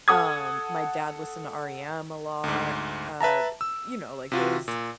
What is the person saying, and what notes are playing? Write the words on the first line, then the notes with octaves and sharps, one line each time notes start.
um, my dad listened to REM a lot, uh, th you know, like, those
A4 F#5 D#6 G#6
D2 G#2
B4 E5 A5 A#5
E6
C3 F4 F#4
A#2